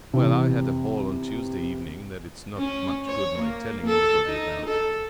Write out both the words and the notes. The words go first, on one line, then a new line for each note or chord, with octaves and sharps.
"Well, I had a haul on Tuesday evening that it's not much good my telling anybody about."
C3 E3
C#4
C#5
A#3
A4
D#4
A4